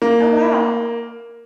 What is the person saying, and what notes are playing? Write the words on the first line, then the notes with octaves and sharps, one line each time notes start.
Oh, wow.
A#3